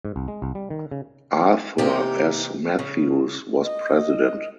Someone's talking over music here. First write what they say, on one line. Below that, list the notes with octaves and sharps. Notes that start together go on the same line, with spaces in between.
Arthur S. Matthews was President.
G#2
C2
G#3
C2
G3
D#3
C#3
C3 E3 A#3 D#4 G4
C#3
D#5